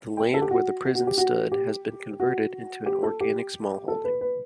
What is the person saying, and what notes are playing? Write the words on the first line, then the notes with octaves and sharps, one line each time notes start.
The land where the prison stood has been converted into an organic smallholding.
G5
A4
G4
F#4
F#4
F#4
G4
F#4
G4
F#4
G4
A4
G4
A4
B4
B4